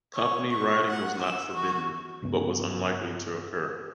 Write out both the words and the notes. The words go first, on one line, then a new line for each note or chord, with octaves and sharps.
Company riding was not forbidden but was unlikely to occur.
C#5
C#6
F#5
E6
F#4
C#2 G2 C#3 B3